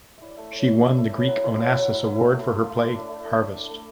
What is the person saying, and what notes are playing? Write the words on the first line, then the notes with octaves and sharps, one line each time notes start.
She won the Greek Onassis Award for her play "Harvest".
E4 D5 E5
D5
A3 E5
A3 C#5
E4 C#5
E4 D5
A3 E5
C#4 B4
F#3 B4
E4 C#5
F#3 E5
C#4 E5
F#5
F#3 E5
E4 E5
A3
A3
E4
E4
A3
D4 D5
A3
A3
D4
D4
A3